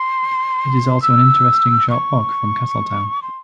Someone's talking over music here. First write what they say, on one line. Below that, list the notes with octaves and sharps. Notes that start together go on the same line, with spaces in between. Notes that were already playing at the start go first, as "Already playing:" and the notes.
It is also an interesting short walk from Castletown.
Already playing: C6
E6
C#6
C6